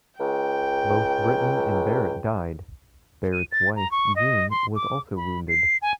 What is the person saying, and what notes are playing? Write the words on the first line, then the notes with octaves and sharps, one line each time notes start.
Both Britton and Barrett died; Barrett's wife, June, was also wounded.
C#2 G5
D#7
A6
A#5
C#6
D#5
C6
D6
B5
C7
G#5